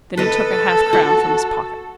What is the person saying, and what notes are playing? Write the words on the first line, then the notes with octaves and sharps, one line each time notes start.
Then he took a half-crown from his pocket.
A4 B4 D#5
F#4